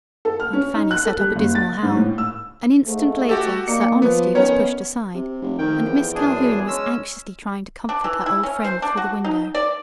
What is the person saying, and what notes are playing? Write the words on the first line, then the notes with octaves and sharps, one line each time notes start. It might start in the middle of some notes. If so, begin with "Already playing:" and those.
Aunt Fanny set up a dismal howl; an instant later Sir Honesty was pushed aside, and Miss Calhoun was anxiously trying to comfort her old friend through the window.
A4
F6
C#4
D#4
F#6
A4
G3
F#1
A6
G#2
A2
E6
G#2 A3
F#4 G4 A4
A#3 D#4 D5 C#7
F3 B3 B4
D#3 B3 C#4 C#5
C3
F1
F2 D#3 G5
E2
F#2 D4 G#4
G#3 C#4 E6
D4
E3
E4
C#4
C5
D4
F#4
D#4
D5